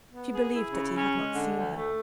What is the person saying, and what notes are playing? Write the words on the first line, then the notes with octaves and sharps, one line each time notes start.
She believed that he had not seen her.
B3
G#4
E4
C#3
C#4
G#3
D3
D2
A3